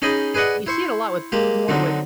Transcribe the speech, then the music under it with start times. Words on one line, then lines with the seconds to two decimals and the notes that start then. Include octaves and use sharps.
y you see it a lot with more with
0.02 C#4 D#4 G#4 D#5 G5 B5
0.35 G#4 B4 D5 D#5 F#5
0.67 E4 C5 C#6
1.32 G#3 A#3 G4
1.68 D3 F#3 C4 D4 D#4